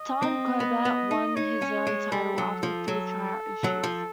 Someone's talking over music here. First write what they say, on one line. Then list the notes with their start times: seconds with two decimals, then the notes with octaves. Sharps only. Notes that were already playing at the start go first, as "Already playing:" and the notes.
Tom Corbett won his own title after three tryout issues.
Already playing: D#5
0.23 C4
0.60 B3
0.85 B3
1.11 D#4
1.36 D#4 C#5
1.62 C#4
1.87 G#3
2.12 G3 A4
2.38 F#3
2.63 F3
2.88 F#3
3.64 F#3
3.83 F3